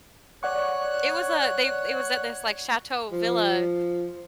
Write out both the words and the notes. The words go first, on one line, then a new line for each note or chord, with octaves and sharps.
It was a they it was at this like chateau villa.
C#5 D5 F#5 C#6 F#6
F3